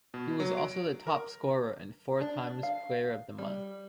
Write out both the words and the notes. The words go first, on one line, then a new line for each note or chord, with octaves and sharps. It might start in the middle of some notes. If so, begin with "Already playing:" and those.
He was also the top scorer and four times player of the month.
B2
F#3
D7
A#4
D4
F5
G3